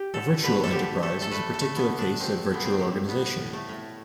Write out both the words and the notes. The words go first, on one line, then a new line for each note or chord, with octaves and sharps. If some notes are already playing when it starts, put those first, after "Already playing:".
A virtual enterprise is a particular case of virtual organization.
Already playing: G4
D3 A4
D3 B4
A4
D3 G4
A3 A4
A4
A3 B4
A4
A3
B3
D3
D4
D3 C4
D3 B3
C4
D3
A2 B3
A2
A3
A2